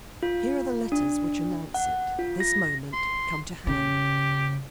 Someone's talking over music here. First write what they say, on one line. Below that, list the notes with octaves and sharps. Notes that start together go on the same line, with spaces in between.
Here are the letters which announce it, this moment come to hand.
F4
D4
F#5
F4
A#6
C6
C#3 G4